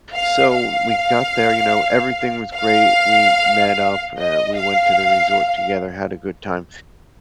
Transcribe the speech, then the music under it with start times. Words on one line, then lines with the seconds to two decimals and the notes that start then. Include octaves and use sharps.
So, we got there, you know, everything was great, we met up a we went to the resort together, had a good time,
0.14 F5
0.53 F5
2.55 F5
4.17 D#5
4.56 F5